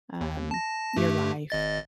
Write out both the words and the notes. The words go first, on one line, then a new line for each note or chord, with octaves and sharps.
um, your life.
D#2
A5 A#6
G2 A3 G4
G#1 D#5 A6